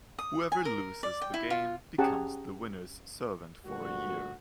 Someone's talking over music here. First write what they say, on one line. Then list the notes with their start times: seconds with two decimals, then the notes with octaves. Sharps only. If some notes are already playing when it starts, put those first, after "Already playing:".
Whoever loses the game becomes the winner's servant for a year.
0.19 D#6
0.52 G#5
0.65 A#4
1.03 D5
1.21 G5
1.34 E4
1.50 F4
1.98 C#4 G4 G#4 F#5 A5 A#5
3.66 D2 A#2 G3 F#4